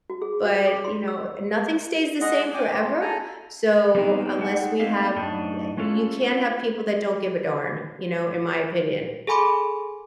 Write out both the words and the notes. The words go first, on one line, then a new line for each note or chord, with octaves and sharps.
but, you know, eh nothing stays the same forever. So, unless we have eh I you can't have people that don't give a darn, you know, in my opinion.
F#4
G#4
F#4
D6
C6
E6
G#3 G#4 D#5 F#5
G5 G#5 D6
F4
A4 G#5 A#5
G3 G#3 B3 C4 D#4 E4
G#3 D#4 A4 F#5 G#5
A3 A#3 C4 D#4 G4 F5
F#2 A2 D4 D#4 A5
G#3 C#4 E4 F4 A4
G#4 A4 G#5 B5 C6 D6